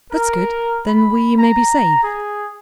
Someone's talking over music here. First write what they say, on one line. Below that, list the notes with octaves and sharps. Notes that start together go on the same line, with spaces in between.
"That's good; then we may be saved."
A#4
B5
A#5
G#4